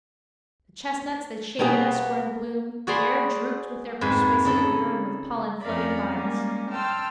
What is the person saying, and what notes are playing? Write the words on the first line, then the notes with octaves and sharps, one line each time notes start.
The chestnuts that shaded us were in bloom: the air drooped with their persuasive odour and with pollen floating by us.
B2 G3 A#3 B3 G#4
F#4 G#4 D5 B5 C6
F2 G#2 B4 G#5
C#3 D#4 E4 A4
F2 C#4 A#4 D5 F5 B5
G3 G#3 A#3 C#4
G5 A5 C6 E6 F6